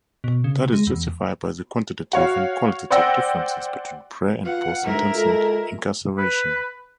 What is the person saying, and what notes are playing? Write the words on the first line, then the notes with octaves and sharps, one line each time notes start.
That is justified by the quantitative and qualitative differences between pre-and post-sentencing incarceration.
B2
C#3
G#3
E2
F#4 C#5 F5
C5 D5 F#5 G5 E6 A#6
F4 B4 F5 F#5
D2 G#2 E4 A#4
G#3 F4 A4
B4